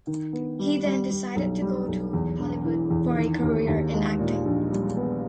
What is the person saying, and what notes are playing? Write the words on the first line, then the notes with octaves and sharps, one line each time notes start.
He then decided to go to Hollywood for a career in acting.
D#3
B3
G3
G3
G3
B1
G3
B1
E2
E1
E3
E2
D#3
D#2
D#2
G#3
A#2
A#1
G3
B3